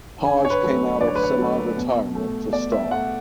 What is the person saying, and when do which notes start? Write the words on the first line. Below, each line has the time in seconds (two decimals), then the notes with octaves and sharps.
Hodge came out of semi retirement to star.
0.25 D3 G#5
0.45 C#5
0.50 B4
0.63 F#3 A3
1.01 D3 D5
1.07 C#5
1.15 B4
1.23 C#5
1.39 F#3 A3
1.77 B2
2.15 A3
2.53 B2 D5
2.72 E5
2.91 A3 F#5